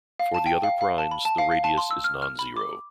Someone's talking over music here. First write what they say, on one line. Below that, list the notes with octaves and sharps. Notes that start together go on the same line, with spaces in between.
For the other primes the radius is non-zero.
F5
A5
G5
F5
F5
A5
B5
A5
F5
F5
A5
C6
E6
F6
F6
B5
D6